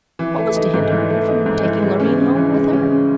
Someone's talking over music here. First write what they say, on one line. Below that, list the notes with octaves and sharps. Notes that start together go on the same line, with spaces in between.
What was to hinder her from taking Loreen home with her?
E3
A3
D#4
G#2
E3
A3
D#4
G#2
E3
G#3
C#4
C#3
E3
G#3
C#4
C#3